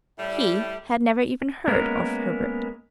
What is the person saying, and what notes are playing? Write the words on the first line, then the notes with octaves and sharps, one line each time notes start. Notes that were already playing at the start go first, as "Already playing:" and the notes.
He had never even heard of Herbert.
A2 G3 E5
G#3 A#3 B3 C#4 A#4